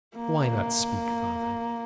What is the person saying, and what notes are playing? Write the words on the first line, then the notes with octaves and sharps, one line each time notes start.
Why not speak, Father?
A#3